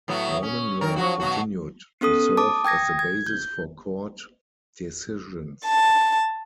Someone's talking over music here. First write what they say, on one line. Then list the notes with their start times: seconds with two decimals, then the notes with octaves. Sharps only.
Norman law continued to serve as the basis for court decisions.
0.08 A2 F#3 B3
0.43 C#4
0.81 D#3 A#4
0.96 F3 F#3 F#4
1.20 B2 F#3 F#4
2.01 B3 C#4 A4 D#6
2.37 A5 D6 D#6
2.65 G5 D#6 G#6 A#6
2.99 G#6
3.27 G6
5.65 A5